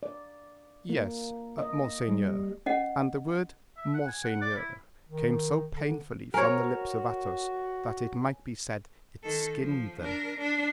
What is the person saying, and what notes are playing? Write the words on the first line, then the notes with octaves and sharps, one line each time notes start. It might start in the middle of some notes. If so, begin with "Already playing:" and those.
"Yes, monseigneur." And the word "monseigneur" came so painfully from the lips of Athos that it might be said it skinned them.
D5
A#3
D#5
G3
C#4 D#5 F#5
E5
F#5
G#5
F#5
D5
E4
D#3
D3
F#4 A#4 C#5 G#5
D#3 A4
F3
D4 A#4
D4